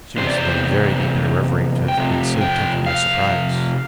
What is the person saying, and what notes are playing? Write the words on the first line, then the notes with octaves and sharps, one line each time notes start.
She must have been very deep in her reverie to have been so taken by surprise.
E2 C3 C5
D5
C5
G5
F2 C3
G5
F5